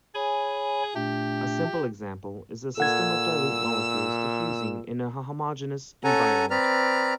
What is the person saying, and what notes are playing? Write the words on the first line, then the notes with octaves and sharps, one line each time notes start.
A simple example is a system of dilute molecules diffusing in a homogeneous environment.
G#4 C#5 G#5 B5
A#2 A3 D4 G4
A#2 A4 F#5 E6 G#6
C#4 A4 F#5 G#5 A#5
C4 B4 D5 A#5 F6